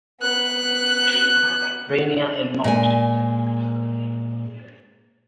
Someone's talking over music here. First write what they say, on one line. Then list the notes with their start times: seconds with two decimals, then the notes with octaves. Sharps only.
Rainier and Mt.
0.21 B3 F#6
2.64 A#2 G#3 G#5